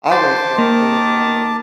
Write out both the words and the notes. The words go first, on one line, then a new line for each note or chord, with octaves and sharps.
always help to lift our mood.
C5 A5 D6
D#3 A#3